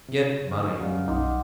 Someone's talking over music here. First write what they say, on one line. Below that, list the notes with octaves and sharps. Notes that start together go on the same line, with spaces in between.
Get money!
C3
D3 D#5 C#6 F6
F#2 G3 F5 F6
B1 D#4 F#5 C6 D6